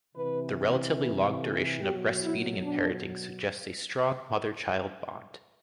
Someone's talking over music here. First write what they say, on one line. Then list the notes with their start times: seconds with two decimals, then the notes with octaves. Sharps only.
The relatively long duration of breastfeeding and parenting suggests a strong mother-child bond.
0.15 C3 E3 B4
0.97 B4
1.38 A4
1.80 B2 F#3 G4
2.22 E4
2.62 D4